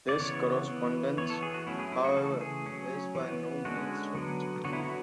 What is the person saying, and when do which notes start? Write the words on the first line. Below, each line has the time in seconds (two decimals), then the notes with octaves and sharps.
This correspondence, however, is by no means strict.
0.09 D5
0.19 C#3 E3 B3 C#5
0.68 E3 B3
1.17 E3 B3 C#5
1.30 A4
1.42 G#4
1.54 F#4
1.67 F#3 A3 C#4 E4
1.79 G#4
1.92 E4
2.04 F#4
2.17 C#3 E3 A3 A4
2.41 G#4
2.66 F#3 C#4
3.15 E3 B3
3.65 D3 G#3 C#4 F#4
4.15 D3 F#3 B3
4.64 D3 F#3 B3 F#4
4.73 E4
4.83 F#4